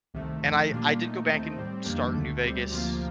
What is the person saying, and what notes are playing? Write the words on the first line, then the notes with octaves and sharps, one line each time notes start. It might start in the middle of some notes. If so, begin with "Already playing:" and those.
and I I did go back and start New Vegas,
C2 C3 D#3 A3
F2 D#3 A3
A#2 G3 A#3 D4 F4
A#2 A3 D#4
D#2 D#3 A3 C4 D#4
A2 G3 C4
F2 D#3 G3 A#3 D4
D2 D3 A3
D2 C3 G3 C4
D2 C3 F3 A#3 F4